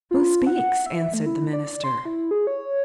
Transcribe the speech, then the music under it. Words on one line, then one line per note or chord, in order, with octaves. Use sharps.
"Who speaks?" answered the minister.
F4
F#5
E5
A3
E4
D5
C6
E4
G#4
C#5